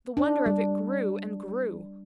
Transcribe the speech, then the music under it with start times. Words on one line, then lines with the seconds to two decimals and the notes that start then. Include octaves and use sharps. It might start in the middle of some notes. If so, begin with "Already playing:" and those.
The wonder of it grew--and grew.
0.17 D4
0.46 G3